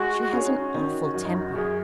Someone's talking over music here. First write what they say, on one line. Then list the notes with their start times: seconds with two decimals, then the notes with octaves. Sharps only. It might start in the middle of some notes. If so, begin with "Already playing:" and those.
'She has an awful temper.'
Already playing: G#3 F#4 G#4
0.32 C#4 F#4
0.46 D#4
0.59 F#4
0.74 D#3
1.14 F#2 F#4
1.25 D#4
1.35 F#4
1.56 F#2 G#4